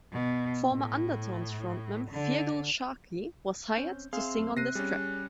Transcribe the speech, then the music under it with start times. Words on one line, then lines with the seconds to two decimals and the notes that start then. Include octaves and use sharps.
Former Undertones frontman Feargal Sharkey was hired to sing on this track.
0.12 B2
0.69 A2
2.11 D3
3.77 C4 C#4 G6
4.13 C4 G#4 E5 F5 C6
4.39 F#2 A3
4.57 C3 F#6 A#6 C7 D#7
4.75 G3 C#4 G#4